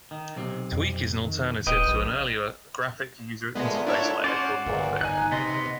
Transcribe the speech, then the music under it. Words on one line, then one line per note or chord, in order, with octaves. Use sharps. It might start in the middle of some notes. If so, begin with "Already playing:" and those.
Tweak is an alternative to an earlier graphic user interface layer called Morphic.
D#3
B1 C3
F2
D#3
D#1 B4 D#5 G5
A#1
A#2 D3 G#3 A3 B3
D4 E4 C#5
C#4 F#4 C5 D5
G1 E2 A#2
D#4 G#5 F#6
C3 B3 D#5 C6